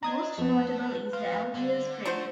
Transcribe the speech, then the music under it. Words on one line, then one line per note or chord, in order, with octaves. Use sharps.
Most notable is the Algiers Ferry.
D4 D#5 A#5 D#6 G#6
F2 A3 B3 B4
C4 F4 F5
D3 G3
A3 D4 F4 F#4 C5